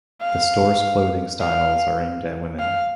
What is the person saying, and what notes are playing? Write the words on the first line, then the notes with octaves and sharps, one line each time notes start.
The store's clothing styles are aimed at women.
F5
F5
F5